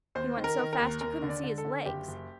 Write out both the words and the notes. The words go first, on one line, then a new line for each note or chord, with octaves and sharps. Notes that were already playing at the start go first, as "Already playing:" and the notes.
He went so fast you couldn't see his legs.
D#2 C5
D#3
A#4
D#3
A#4
D#2
D#2 A#4
D3
D5
D3
A4
D3
F#1 G4
F#1